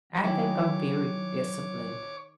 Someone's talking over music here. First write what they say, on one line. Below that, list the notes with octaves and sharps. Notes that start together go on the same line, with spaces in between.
I think I'm very disciplined.
D#3 F#3 G#3 E4 C#5 D6